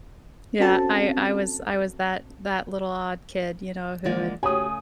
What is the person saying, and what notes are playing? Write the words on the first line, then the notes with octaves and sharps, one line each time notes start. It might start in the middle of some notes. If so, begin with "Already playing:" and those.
Yeah, I I was I was that that little odd kid, you know, who would
C4 C#4 F#4 A4 A5
D3 E3 G#3 A#3 F4 A6
C#3 A3 F#4 G4 C#5 G#5 D#6